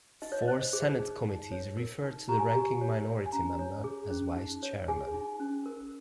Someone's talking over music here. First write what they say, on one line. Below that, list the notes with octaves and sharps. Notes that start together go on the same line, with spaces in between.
Four Senate committees refer to the ranking minority member as Vice Chairman.
D#4 D#5
C#5
D#5
C5
G#4
D#4
D#4
C#5
A#4
D#4
G4 A#5
G#5
A#5
G4
C#5
C#5
G#5
C#4 A#5
C#5
G#4
C#4
D#4
C#5
G#4 G#5
D#4
C#4
A#4